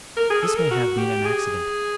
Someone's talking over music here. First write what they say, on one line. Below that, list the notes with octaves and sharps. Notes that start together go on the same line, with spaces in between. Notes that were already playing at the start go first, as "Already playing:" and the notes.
This may have been an accident.
A#4
G#4
A4
A#4
F#4
G4
G#4